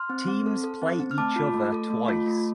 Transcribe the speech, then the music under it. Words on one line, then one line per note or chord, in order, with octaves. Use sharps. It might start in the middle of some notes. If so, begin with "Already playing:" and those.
Teams play each other twice.
Already playing: C6 F6
C4
C4
A4
A4
C4
C4
F6
A3 A5 D6
F4
A3
A4
A3
F4
A3